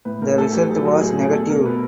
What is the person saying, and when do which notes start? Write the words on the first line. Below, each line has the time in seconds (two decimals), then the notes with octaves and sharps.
The result was negative.
0.05 A2 B4
0.22 A2 A#4
0.38 A3 A4
0.53 A3 G4
0.69 F#3 G#4
0.85 F#3 A4
1.01 A2 G#4
1.07 A4
1.12 G#4
1.18 A3
1.23 G#4
1.33 B2 A4
1.49 B2 A#4
1.65 B2 B4